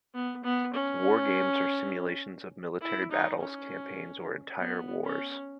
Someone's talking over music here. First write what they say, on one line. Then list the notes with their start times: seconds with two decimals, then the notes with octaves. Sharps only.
Wargames are simulations of military battles, campaigns or entire wars.
0.14 B3
0.44 B3
0.74 C#4
2.82 E4
3.11 D#4
3.41 C#4
4.59 B3
5.04 C#4